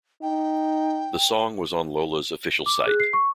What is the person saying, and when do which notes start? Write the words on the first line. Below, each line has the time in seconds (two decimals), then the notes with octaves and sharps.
The song was on Lola's official site.
0.22 D#4 G5
2.66 D6
2.86 G#4 F#6
3.00 C7
3.13 C#6